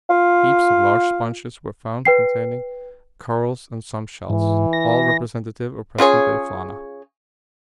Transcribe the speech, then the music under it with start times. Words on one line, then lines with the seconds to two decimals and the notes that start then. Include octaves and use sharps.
Heaps of large sponges were found containing corals and some shells, all representative of present-day fauna.
0.10 F4
2.05 B4 G5 C7
4.30 G#2 E3
4.73 A#6
5.98 C#3 F4 G#4 C#5